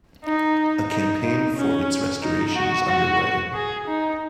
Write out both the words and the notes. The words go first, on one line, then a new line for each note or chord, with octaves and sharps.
A campaign for its restoration is underway.
D#4
D#4
D#4
C#4
D#4
F#4
F#4
G#4
D#4